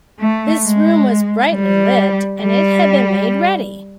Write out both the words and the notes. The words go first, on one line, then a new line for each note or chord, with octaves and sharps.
This room was brightly lit; and it had been made ready.
A3
G#3
G3
G3